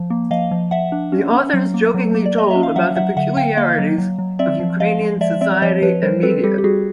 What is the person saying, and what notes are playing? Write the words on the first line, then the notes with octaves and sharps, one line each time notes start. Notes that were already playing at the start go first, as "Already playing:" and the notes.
The authors jokingly told about the peculiarities of Ukrainian society and media.
Already playing: F3
A#3
F3 D#5 F5
F3
F3 E5 F#5
D4
C#4
C#4
F#3
A#3
F#3
A#3
D5
A#3 D#5
C#4 E5
F5
F#3 E5 F#5
F#3 E5 F#5
D3 E5 F#5
D3 F5 G5
A#3 D#5 F5
F#3
F#3
F#3
C4 D5 E5
F3
F3 D#5 F5
G#3
F3 D5 E5
C4 D5 E5
F3 C#5 D#5
F3 B4 C#5
G3 A#4 C5
C4 A4 B4
G3 G4 A4
G4
G3 F#4 G#4